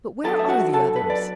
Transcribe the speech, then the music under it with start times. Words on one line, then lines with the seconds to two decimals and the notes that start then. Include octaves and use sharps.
But where are the others?
0.24 B1 B2 F#3 B3 D4 A4 A5
0.39 E5
0.49 F#4 F#5
0.74 A4 A5
0.96 B4
1.10 D5